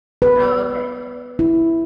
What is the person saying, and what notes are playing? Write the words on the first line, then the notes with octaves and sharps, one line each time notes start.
Oh, okay.
B4
E4